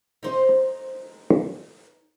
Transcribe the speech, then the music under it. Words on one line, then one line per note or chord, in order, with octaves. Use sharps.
He expects them to carry messages for him to their kindred.
D#4 C5